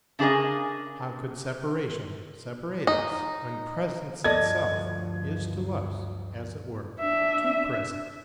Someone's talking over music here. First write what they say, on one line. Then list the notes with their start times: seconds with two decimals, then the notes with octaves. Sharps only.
How could separation separate us, when presence itself is to us, as it were, too present?
0.19 C#3 D4 G#4 A#4 D#5
2.87 D#4
4.24 D2 G2 F3 A4 D5 D#5 G#6
7.00 D4 E5